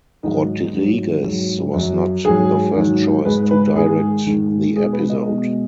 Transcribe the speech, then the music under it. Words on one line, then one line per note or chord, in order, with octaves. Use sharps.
Rodriguez was not the first choice to direct the episode.
G#2 D#3 F#3 D#4
G#2 F#3
G#2 F#3
F#2 F#3
G#2 F#3 G#4
G#2 D#3 F#3
G#2 G#3 B4
B4
G#2 D#3 G#3 G#4
G#2 D#3 G#3
B2 G#3 G#4
B4
D#5
B2 G#3